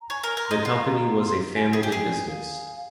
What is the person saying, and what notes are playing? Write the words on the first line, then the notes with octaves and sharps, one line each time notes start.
The company was a family business.
A#5
C#5 G#5
A#4
A#4 A#5
C6
D#4 A#5
C6
F4 A#5
C6
A#5
C6
G#5
G#4 G#5
G4
G#4
F5